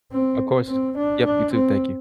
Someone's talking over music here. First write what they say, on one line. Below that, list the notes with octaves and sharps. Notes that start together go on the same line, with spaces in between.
Of course. Yup, you too, thank you.
C4
C4
D4
D4
C4